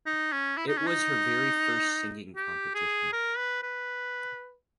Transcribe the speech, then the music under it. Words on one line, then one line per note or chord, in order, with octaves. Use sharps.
It was her very first singing competition.
D#4
C#4
E4
D#4
C#4
D#4
G4
G#4
A#4
B4
B4